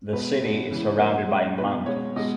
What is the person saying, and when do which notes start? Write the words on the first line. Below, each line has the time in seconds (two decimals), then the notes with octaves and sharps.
The city is surrounded by mountains.
0.13 B2 G#3 B4
0.42 B2 G#3
0.71 C#3 E3 G#3
0.99 A#2 F#3 A#4
1.29 A#2 G#3
1.58 B2 G#3 B4
1.86 B2 G#3 C#5
2.16 B2 G#3 D#5